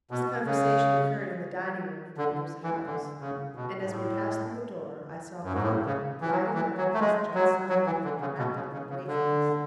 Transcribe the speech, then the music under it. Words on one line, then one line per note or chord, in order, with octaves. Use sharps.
This conversation occurred in the dining-room of Peters' house: and as we passed through the door, I saw Clodagh gliding down the passage outside--rapidly--away from us.
B2
C#3
D3
E3
D3
C#3
B2
G#2
A2
F#2
G#2
A2
C#3
E3
F#3
E3
F#3
A3
G#3
F#3
F#3
E3
D3
C#3
B2
C#3
C#3
C#3
D3